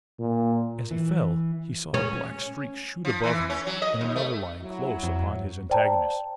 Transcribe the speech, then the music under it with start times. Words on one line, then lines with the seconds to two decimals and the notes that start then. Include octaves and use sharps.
As he fell he saw a black streak shoot above him and another lion close upon his antagonist.
0.19 A#2
0.91 E3
1.94 C#4
3.05 F3
3.24 E3
3.50 C#4
3.67 F#3
3.82 D#5
4.01 D#2
4.16 A3
4.61 F#3 E4
5.03 F2
5.70 C5 D5 G5 A5 A#5